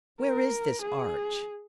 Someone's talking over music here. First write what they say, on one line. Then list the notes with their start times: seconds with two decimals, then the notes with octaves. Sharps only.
"Where is this Arch?"
0.22 A#4
0.82 G#4